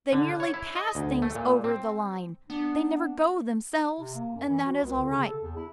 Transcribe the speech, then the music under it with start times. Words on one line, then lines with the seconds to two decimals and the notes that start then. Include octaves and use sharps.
They merely pass things over the line--they never go themselves. And that is all right.
0.12 D3
0.40 C#5
0.54 E4
0.75 D#5
0.95 D2
1.22 A3
1.35 A#2
1.64 C4
2.50 B3 D4
4.00 C3
4.15 A#3
4.34 F#2
4.49 E3
4.65 F#4
4.83 C#2
4.98 D3
5.09 C#3
5.24 A4
5.42 E2
5.56 E4